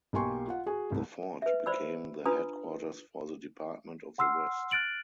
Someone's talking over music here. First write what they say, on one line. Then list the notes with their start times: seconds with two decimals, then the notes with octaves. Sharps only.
The fort became the headquarters for the Department of the West.
0.13 B1 A#3 G4 G#5 C6 C#6
0.47 F4 F#5
0.66 F#4 G#4 G#5
0.90 C2 A2
1.42 B4 E5
1.66 C5 D5 B5 E6
2.25 D4 F4 B4 A#5 D#6
4.18 F#5 C6 E6 F6 C7
4.71 F6 F#6 A6 D7 F#7